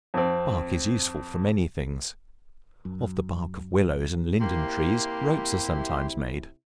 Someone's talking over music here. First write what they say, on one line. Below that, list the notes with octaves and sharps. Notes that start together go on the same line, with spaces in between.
Bark is useful for many things: of the bark of willows and linden trees, ropes are sometimes made.
F2 C4
F#2
C3 A#3 E4 G4 C6